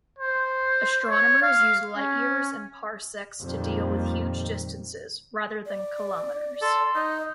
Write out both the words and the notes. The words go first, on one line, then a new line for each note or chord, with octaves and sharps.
Astronomers use light years and parsecs to deal with huge distances, rather than kilometres.
C5
C#5
F5
C#4
F2 A#2 D#3 G3 A#3
D5
A4 C6
D#4 D#5